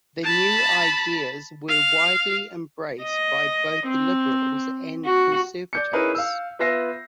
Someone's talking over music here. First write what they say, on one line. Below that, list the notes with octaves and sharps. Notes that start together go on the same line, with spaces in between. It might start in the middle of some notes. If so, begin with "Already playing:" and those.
The new ideas were widely embraced by both liberals and conservatives.
A5 B5
F5
D#5
C4
F#4
D5 G6 C#7
C#4 D#4 E4 G#4 A#4 B4
F5 E6
B3 F4 B4 E5 A#6 C7